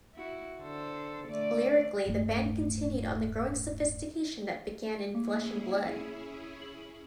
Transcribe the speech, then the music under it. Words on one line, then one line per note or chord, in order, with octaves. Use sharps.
Lyrically, the band continued on the growing sophistication that began in "Flesh and Blood".
E4 F#4
D3 A4 C5
D3 A3 D5
D1 G2 G3 A3
A#3 C#4 E4 G#4
F#7